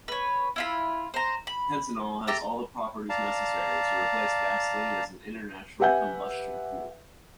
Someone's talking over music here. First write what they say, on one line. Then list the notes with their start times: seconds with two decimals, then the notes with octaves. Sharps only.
Pentanol has all the properties necessary to replace gasoline as an internal combustion fuel.
0.08 B4 C#5
0.56 E4 F4 B5
1.14 C5 A#5
1.47 B5
2.27 A3 G4 A#5
3.09 D5 F5 A5 A#5
5.80 G4 B4 E5 F#5 G#5 G6